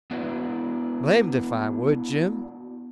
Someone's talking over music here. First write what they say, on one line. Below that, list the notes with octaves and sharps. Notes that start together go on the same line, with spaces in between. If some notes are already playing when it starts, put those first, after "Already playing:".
"Blamed if I would, Jim."
B3 D4 E4 F#4 B4